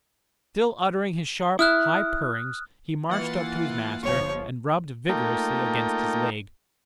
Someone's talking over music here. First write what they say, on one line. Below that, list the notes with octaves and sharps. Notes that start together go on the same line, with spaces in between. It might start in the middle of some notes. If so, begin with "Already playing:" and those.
Still uttering his sharp high purrings he marched up to his master and rubbed vigorously against his legs.
E4 D#6 F6 F#6
E3 A#3 F4 F#5 A6
G1 F3 C#5
A3 A#3 D#4 F4 A#4 G5